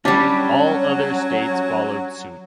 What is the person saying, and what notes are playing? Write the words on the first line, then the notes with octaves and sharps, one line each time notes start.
All other states followed suit.
F#3 G3 B3 C#4 D4 G4